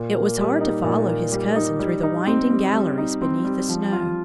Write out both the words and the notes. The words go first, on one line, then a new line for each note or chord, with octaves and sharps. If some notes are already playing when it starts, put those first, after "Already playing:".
It was hard to follow his cousin through the winding galleries beneath the snow.
Already playing: A#2
A#3
G3
D#4
A#2
A#3
G3
D#4
G3
D#4
C4
G3
G3
D#4
C4
G3
F3
F4